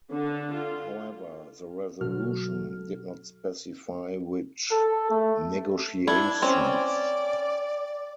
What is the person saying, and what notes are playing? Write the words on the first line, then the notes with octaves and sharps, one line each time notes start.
However, the resolution did not specify which negotiations.
D3
F4
G1 B2 F#3 F#4 A4 F6
A4
A3
D4 E4 G#6
C4 C#4 D5